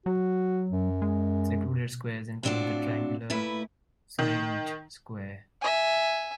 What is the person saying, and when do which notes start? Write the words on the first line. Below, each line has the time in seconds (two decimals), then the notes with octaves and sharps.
Secluded squares include the triangular Canynge Square.
0.06 F#3 F#4
0.70 F#2
1.02 G#3
2.43 A2 B3 C4 D4 F4 F#4
3.30 A#2 A3 E4 B4
4.19 D#3
5.61 E5 G#5